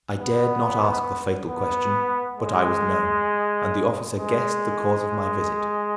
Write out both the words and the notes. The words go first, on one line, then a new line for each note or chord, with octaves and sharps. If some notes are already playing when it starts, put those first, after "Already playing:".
I dared not ask the fatal question, but I was known, and the officer guessed the cause of my visit.
B3
B3
G#3
G#3